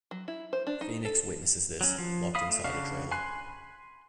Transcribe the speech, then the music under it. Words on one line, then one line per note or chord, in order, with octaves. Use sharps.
Fenix witnesses this, locked inside a trailer.
F#3
E4
C5
D4
D#4
A4
F#3 C#4
F3
F5 B5 D#6
A3
C#3 D4 F#4 F5
G#5 B5 C6 F#6